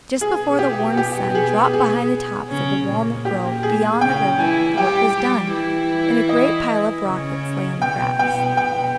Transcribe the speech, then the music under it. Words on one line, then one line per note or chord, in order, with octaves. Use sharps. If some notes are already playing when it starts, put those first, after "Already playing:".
Just before the warm sun dropped behind the tops of the walnut-grove beyond the river the work was done, and a great pile of rockets lay on the grass.
B2 B3 G#4
G4
G4
G#4
G#4
C#3 C#4
A#2 A#3
G4
G#4
C#3 C#4 G5
E3 E4 G#5
G3 G4 G5
G3 G4
E3 E4
D#5
C#3 C#4
B2 B3 G5
B2 B3 G5
B2 B3 G5